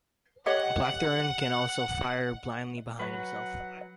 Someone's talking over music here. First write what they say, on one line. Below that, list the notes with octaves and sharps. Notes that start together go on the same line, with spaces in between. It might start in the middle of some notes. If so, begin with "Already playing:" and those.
Blackthorne can also fire blindly behind himself.
G4 C#5 D#5 F#5
F#3 B4 F#5